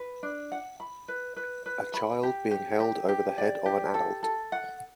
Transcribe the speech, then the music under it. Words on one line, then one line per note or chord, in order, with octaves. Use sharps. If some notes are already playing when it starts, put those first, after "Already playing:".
A child being held over the head of an adult.
Already playing: B4
D4
F#5
B5
B4
B4
B4
B5
G4
G4
G4
G4
D5
G4
A4
A4
F#5